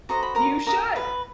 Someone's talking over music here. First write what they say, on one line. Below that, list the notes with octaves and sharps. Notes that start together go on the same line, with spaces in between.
You should.
F#4 A4 C5 D#5 A#5
B5
A#4 A#5
F#4 A4 A#4 D#5 A#5
B4 B5